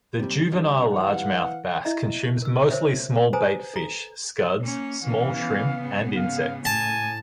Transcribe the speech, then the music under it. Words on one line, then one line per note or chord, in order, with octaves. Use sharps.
The juvenile largemouth bass consumes mostly small bait fish, scuds, small shrimp, and insects.
C3 G3
G3 D4
E3 F5 F#5
E4 D#5 E5 A#5
A#4 E6
A#4 C5 C#5 E5
G#4 B4 C5 G#5 A#5 D#6
A4 A#5
A#3 C#4
E3 C#4 F5
B3
G#2 C#3
F5
A2 G#5 A5